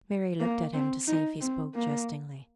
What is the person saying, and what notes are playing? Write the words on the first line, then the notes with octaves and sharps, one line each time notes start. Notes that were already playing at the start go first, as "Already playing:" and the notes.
Mary looked at him to see if he spoke jestingly.
A#3
C4
D#4
C4
A#3